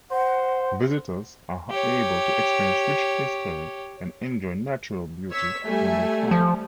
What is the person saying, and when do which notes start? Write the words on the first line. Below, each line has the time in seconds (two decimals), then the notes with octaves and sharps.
Visitors are able to experience rich history and enjoy natural beauty when they come.
0.11 C5 F#5
1.70 G4 C#5
5.29 C#5 E6 B6
5.65 G3 A3 E5 G#5
6.31 F3